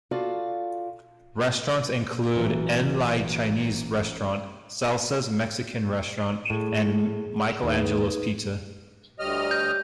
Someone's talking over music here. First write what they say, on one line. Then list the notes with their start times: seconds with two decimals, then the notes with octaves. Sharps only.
Restaurants include En Lai Chinese restaurant, Salsa's Mexican restaurant, and Michael Angelo's Pizza.
0.11 F4 F#4 A4 D5 F5
2.35 A1 E3 F#3
6.50 A2 G#4
7.63 D#2 D#4 G#4 B4
9.20 D2 G3 G4 C#5 D#5 F6
9.51 G6